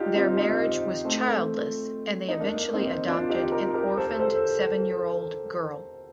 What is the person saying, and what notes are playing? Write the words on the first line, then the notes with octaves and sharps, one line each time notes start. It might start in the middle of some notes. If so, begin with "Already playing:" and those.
Their marriage was childless, and they eventually adopted an orphaned seven-year-old girl.
Already playing: D4 D#4 F4 G4
C4 D#4
C4 D#4
A3 C4
D#4
A#3 D4
C4 D#4
D4 F4
D#4 G4
G4 A#4
G4 A#4
A4 C5
A4 C5